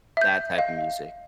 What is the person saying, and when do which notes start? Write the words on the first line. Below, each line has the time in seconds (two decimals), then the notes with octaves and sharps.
that type of music.
0.17 E5 G6
0.55 D#5 F5